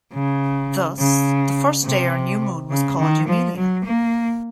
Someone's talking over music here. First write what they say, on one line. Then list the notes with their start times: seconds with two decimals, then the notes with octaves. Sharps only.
Thus, the first day or new moon was called "Noumenia".
0.13 C#3
0.99 C#3
1.84 C3
2.70 C#3
2.99 D#3
3.27 F3
3.56 F#3
3.84 A#3